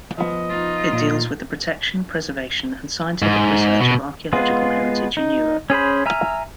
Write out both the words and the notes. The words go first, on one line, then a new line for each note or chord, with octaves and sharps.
It deals with the protection, preservation and scientific research of archaeological heritage in Europe.
F3 B3 D#5
D#4 F4
A#2
G#2
B2
G#3 B3 F4 G#4
D#4
C#4 G#4 C5 B5
E5 G#5 A#5 F6